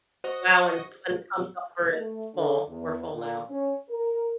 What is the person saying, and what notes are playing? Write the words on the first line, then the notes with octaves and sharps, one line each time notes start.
well and someone comes over and it's full, "We're full now."
F#4 C5 D#5
A3
D3
E2
A#2
C#4
A#4